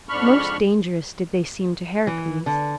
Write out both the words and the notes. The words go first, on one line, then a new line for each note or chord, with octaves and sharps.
Most dangerous did they seem to Heracles.
F2 G#2 D4 B5 C#6 F6
E3
D3